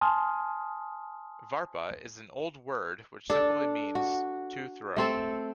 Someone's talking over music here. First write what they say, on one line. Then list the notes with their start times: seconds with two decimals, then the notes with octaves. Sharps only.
"Varpa" is an old word which simply means "to throw".
0.01 G#5 A5 C6 D#6 F6
3.30 D4 A4
3.95 F#4
4.96 A3 C4 A4